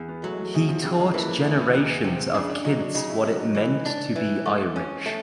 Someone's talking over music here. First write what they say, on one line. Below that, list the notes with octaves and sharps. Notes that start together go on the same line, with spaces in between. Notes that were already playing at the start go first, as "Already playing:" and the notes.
He taught generations of kids what it meant to be Irish.
Already playing: E2
B3
F#3 A3
G#3
A3
E2 G#3
F3
C#3 G3
G#3
E3 A#3
A#3
E2 A3
B3
E2 A#3
C3 C4
C#3 D4
D4
F#3 D#4
D4
C#3 D#4
E4
F#3 D#4
D#4
E3
D4
E3
A3
C#4
A3